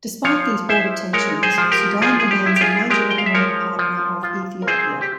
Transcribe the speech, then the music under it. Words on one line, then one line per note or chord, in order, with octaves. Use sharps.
Despite these border tensions, Sudan remains a major economic partner of Ethiopia.
F3 C#5 F5
E4 C5 E5
G#3 A#4 C#5
G#4 C5
F3
G4 A#4
F3 F4 G#4
G#4
G4
E4
G4
F4 G#4
G#3 G4 A#4
G5
F5
E5
F3 A#4 C#5
F3
F4
A#4
C4 G#4 C5
G4